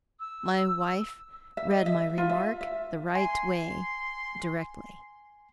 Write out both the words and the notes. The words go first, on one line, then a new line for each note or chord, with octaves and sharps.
My wife read my remark the right way directly.
E6
E5
D#5
E5
F4
E5
E5
G#5 C6